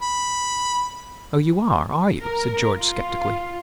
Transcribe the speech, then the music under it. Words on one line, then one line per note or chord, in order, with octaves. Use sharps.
"Oh, you are, are you?" said George skeptically.
B5
A#4
F4